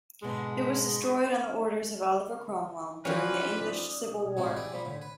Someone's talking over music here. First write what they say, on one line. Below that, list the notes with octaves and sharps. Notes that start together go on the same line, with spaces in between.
It was destroyed on the orders of Oliver Cromwell during the English Civil War.
G#2 B2 D3 G#3
E3 F3 G3 C#4 B4 D5
A2 C3 G3 G#3 A#3 F#4
E3 E4 G4 G#4 D5
F3 G3 A#3
A2 D3
B4